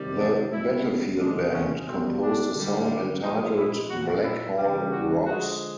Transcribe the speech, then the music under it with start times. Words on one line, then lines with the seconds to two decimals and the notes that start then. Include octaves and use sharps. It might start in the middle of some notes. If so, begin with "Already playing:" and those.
The Battlefield Band composed a song entitled "Blackhall Rocks".
Already playing: C3 D#3 G3
0.18 D4
0.51 B2 G3 E4
1.20 C3 E3 G#3 D4
1.53 C#4
1.87 B2 G3 C4
2.21 D4
2.55 D3 G3
3.22 A#2 F3 G#3 D#4
3.56 E4
3.89 A#2 F#3 F#4
4.24 E4
4.57 C#3 E3 G3
4.91 F#4
5.25 D3 F3 G#3 F#4